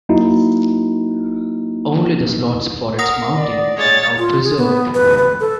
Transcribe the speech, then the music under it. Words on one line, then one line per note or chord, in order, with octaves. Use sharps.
Only the slots for its mounting are now preserved.
F#3 A#3 D#4 E4 F#4
A#4 F#5 D#6 A#6
D5
G#3 C#5 A6
F4
G#4
B3
B4
B4
A4